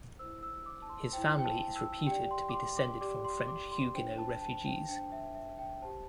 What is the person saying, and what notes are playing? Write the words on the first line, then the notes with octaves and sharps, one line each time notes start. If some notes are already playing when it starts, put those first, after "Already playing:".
His family is reputed to be descended from French Huguenot refugees.
E4 C5 E6
E6
D6
A5
C6
E4 C5 G5
G5
A5
E6
G4 D5 G5
C6
D6
C6
D6
G4 D5 D6
C6
D6
C6
D4 C5 G5
A5
A5
G5
D4 C5 G5
E5
E5
G5
G4 C5 A5